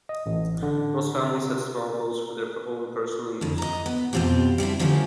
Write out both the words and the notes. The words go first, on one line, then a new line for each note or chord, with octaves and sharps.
Most families had small boats for their own personal use.
D#5
A1
D3
C3
F2 D3
D#5 A#5
B3
F2 B2 C4 F4 G4
G3 C4 D4 E4
D3 F3 F#3 A3 A#3 C#4